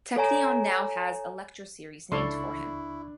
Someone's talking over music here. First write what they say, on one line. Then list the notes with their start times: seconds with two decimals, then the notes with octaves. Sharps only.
Technion now has a lecture series named for him.
0.16 A4 C#5 G#5 A#5
2.12 C#2 D4 E4 A4 D5 C6 C#6